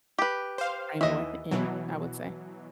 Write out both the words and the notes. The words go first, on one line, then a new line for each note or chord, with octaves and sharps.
there's a rainbow at the end, I would say.
G4 B4
C5 F5
D#2 E3 D#5 E5
B2 E3 F#3